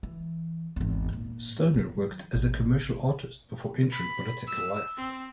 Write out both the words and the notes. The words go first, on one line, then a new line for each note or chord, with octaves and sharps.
Stoner worked as a commercial artist before entering political life.
E3
G#1 E2
A#2
D#3 F#3
A1
B5
E6
C4